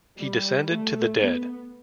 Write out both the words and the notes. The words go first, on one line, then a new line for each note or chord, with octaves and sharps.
He descended to the dead.
G3
A3
B3